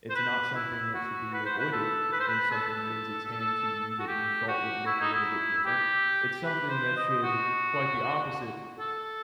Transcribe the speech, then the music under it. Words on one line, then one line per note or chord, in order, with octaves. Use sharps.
It's not something that should be avoided when something lends its hand to you that you thought would look a little bit different. It's something that should, quite the opposite,
C5
B4
E4
F#4
B4
C5
B4
A4
B4
C5
B4
A4
F#4
G4
F#4
E4
D#4
E4
G4
B4
C5
D#5
F#4
A4